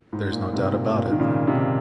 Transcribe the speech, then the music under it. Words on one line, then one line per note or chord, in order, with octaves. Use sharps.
There's no doubt about it.
G#2
A#2
G#2 C3
A#2
A#2
D#3
A#2 C#3
C3 D#3